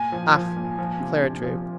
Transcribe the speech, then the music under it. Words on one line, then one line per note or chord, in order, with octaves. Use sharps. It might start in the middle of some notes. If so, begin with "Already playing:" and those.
"Ah!" Clara drooped.
Already playing: A#2 G#5
F3
F3
A#2
F3
C3
C3
F3